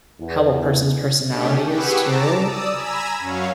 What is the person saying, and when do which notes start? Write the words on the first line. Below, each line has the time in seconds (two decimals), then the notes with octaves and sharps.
how a person's personality is too.
0.20 E2
1.27 A3 C#4 D4 G4
1.65 G4 G#4 B4 F#5 C#6 E6
1.97 A5 A#5 D6
2.35 D5 D#6 E6
2.71 G#5 A#5 B5 E6
3.18 F#2 F#3 C#4 C#5 F5